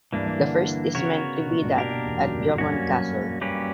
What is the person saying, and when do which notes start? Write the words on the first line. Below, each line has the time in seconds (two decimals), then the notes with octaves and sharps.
The first is meant to be that at Drummond Castle.
0.12 G2 E3 A#3 D4
0.26 G2
0.40 D3
0.95 C#3 B3 F#4 A#4 C#5
1.36 B2
1.50 A#2
1.63 G2
1.77 B2 A#3 D4 G4 A#4
1.91 B2
2.05 E2
2.18 F#2
2.28 F#2
2.39 G2
2.49 A#2
2.58 G2 A#3 C#4 F#4
2.73 F#2
2.87 F#2
3.41 G3 A#3 C#4 G4 B4